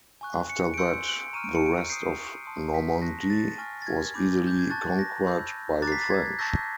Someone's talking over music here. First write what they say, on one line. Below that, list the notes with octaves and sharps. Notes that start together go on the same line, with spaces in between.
After that, the rest of Normandy was easily conquered by the French.
G#5 C#6 F#6
C#7
D7
C6 E6 G6 C#7
D7
A#5 C#6 F6 D#7
D7
C#7
D7
A#5 D#6 G6 C7
A5 C6 D#6
B6
A5 C#6 F#6 A#6
A#6
A6
G#5 C#6 F6
A6
G#6
B5 D6 G6
G6
G#6
A5 C#6 F#6 A6
A#6
B5 E6 G6
A#5 D6 F#6 A6
C7
B6
A6
G#6
A5 C#6 E6 G6 A#6